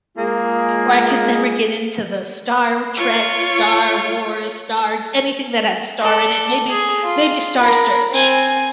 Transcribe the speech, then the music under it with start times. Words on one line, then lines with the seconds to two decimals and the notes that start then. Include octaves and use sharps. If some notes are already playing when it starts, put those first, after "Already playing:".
or I could never get into the Star w Trek, Star Wars, Star anything that had star in it, maybe maybe Star Search,
0.17 G#3 A#3 F4 G#4
2.96 F4 C#5
6.01 A4 D5
6.69 G#4
7.04 F4
7.60 A#4 B5
8.11 C4 G#5